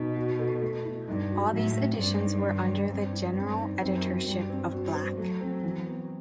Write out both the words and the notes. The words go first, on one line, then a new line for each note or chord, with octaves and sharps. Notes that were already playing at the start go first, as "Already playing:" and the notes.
All these editions were under the general editorship of Black.
Already playing: B2 D#4
F#4
A4
A3
E4
G2 D#4
F#4
A2 F#3
C4
G2 C4
D#4
D#3
G3
G2 C4
E4
C4
D#4
F#2 C4
F#4
G2 G3
C4
F#4
C5
F#3 A3
C4
E3
B3